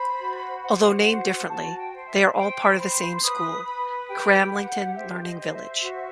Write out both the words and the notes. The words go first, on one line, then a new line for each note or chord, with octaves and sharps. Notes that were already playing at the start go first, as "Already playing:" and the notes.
Although named differently, they are all part of the same school; Cramlington Learning Village.
Already playing: C5 B5
F#4
C5 F#5
F#4
F#4 A5
G5
C5
E5
C5 G5
C5 B5
B4 D#6
B4 B5
G4 G5
G4 F#5
C5 E5
D#5
C5
E5
F#4